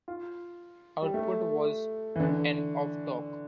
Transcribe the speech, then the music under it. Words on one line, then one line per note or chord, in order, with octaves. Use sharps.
Output was and of torque.
F4
G3
A3
E3
D3